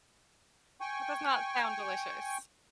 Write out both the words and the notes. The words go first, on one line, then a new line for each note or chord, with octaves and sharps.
That does not sound delicious.
G5 G#5 C#6